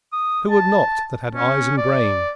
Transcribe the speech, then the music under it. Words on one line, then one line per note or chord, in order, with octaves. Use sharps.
Who would not that had eyes and brain?
D#6
A5
C#4
D5